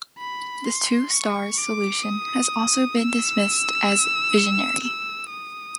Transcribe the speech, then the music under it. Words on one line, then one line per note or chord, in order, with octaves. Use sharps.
The "Two Stars" solution has also been dismissed as visionary.
B5
C6
C#6
D6
D#6
E6
E6
D#6